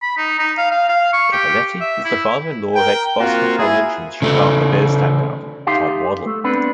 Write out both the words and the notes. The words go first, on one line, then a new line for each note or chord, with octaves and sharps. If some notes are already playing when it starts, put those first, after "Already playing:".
Cappelletti is the father-in-law of ex-Boston College and Chicago Bears standout Tom Waddle.
B5
D#4
D#4
F5
F5
F5
C#6
G4
E5
E4
A#4 G5
A#3 C4 F4 F#4
E4 G#4
C#3 A3
D#4 G4 E5 F5 C6
A3
B3 C4 D4 B4